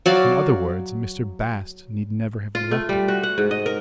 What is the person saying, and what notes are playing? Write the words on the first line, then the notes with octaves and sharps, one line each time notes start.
"In other words, Mr. Bast need never have left it."
F#3 D5 F5
F4
A3
G3
F#4
F#5
G#2
D#5
A#4